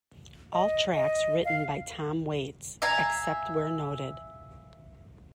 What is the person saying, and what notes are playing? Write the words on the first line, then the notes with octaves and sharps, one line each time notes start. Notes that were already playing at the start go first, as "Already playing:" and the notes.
All tracks written by Tom Waits, except where noted.
D#5
D#5
F5
E5 F5 G#5 A#5